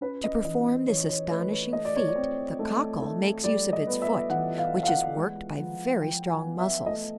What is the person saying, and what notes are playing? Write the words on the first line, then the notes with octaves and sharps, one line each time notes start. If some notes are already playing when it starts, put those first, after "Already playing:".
To perform this astonishing feat the Cockle makes use of its foot, which is worked by very strong muscles.
C#4 B4
D#5
E3 D#5
E3 C#5
C#5
A3 B4
C#5
A3 D#5
D5
C#5
D5
C4
A3
A3
G3 D5
D#5
B3
E5
E3 F#5
F5
B3
F5
F#5
G#3
F3
F3 G5
G#5
B3
E5
A3 D#5